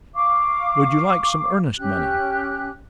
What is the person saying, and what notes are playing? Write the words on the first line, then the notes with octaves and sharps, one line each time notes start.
"Would you like some earnest-money?"
F5 C#6 D6
C#4 G4 F#6